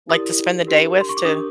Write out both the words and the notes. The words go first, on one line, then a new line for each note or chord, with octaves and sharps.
like to spend the day with to
E4 G4 A#4 D5 D#6
D4 G4 A#4
C6
C#6
D6
D4 G4 A#4 D#6